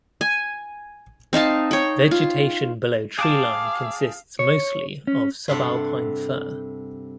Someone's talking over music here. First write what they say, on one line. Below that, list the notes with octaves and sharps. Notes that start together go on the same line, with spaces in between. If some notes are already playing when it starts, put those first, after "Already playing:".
Vegetation below treeline consists mostly of subalpine fir.
G#5
C4 D#4 F5 A5
C#5 G5
F4
G#4 F5 G5 A5 D6
C#5
C#4
G2 C3 A4 F#5